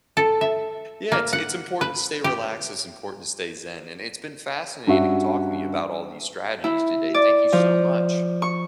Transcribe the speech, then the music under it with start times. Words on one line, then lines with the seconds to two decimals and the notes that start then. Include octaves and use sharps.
Yeah, it's it's important to stay relaxed, it's important to stay zen, and it's been fascinating talking to you about all these strategies today, thank you so much.
0.17 A4
0.41 E5
1.12 A#3
1.33 F#5
1.81 B4
2.24 G4
4.87 G2 C#4 F#4 E5
6.64 E4
7.14 D5
7.52 F3
8.42 C#6